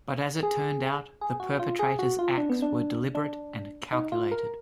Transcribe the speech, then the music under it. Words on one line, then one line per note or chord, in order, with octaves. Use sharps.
But as it turned out, the perpetrator's acts were deliberate and calculated.
G#4
G#4
F#4
F4
G#4
F#4
F4
D4
B3
D4
D4
D#4
F4
A#4